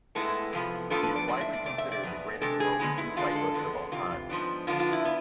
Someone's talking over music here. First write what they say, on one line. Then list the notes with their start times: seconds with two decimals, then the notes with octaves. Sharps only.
He is widely considered the greatest Norwegian cyclist of all time.
0.15 A2 G#3 B3 E4 A4
0.53 C3 F3 B3
0.90 A2 F3 B3 D4 A4
1.03 B4
1.15 D5
1.28 A2 G#3 D4 D5
1.41 E5
1.53 D5
1.66 F2 C3 A3 D5
1.78 E5
1.92 D5
2.03 E2 B2 B3
2.41 C3 G#3 D4 A4
2.60 G#4
2.79 D3 G#3 B3
2.98 E4
3.16 E2 D3 G#3 D4 F4
3.36 A4
3.54 F2 D3 G#3 B3
3.92 F2 C3 E3 F4
4.29 G#2 F3 B3 D4
4.67 D3 F3 B3 D4 F4
4.80 F4
4.93 E4
5.05 B3